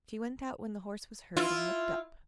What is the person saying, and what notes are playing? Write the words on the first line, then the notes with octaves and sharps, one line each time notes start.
She went out when the horse was heard, and looked up.
E4 F4